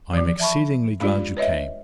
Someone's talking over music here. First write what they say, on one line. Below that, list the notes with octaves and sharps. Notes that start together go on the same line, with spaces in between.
I am exceedingly glad you came.
E3 F3
E5 A5 B5 C#6
G#3 D4 F4 G4 D5
B4 C#5 D#5 E5